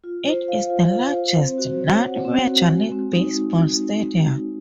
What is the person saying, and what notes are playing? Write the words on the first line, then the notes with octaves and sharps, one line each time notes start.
It is the largest non-Major League Baseball stadium.
F4
C5
F5
F4
F4
C5
C4
F#4
C#5
F#5
C4
F#4
G#3
C4
D#4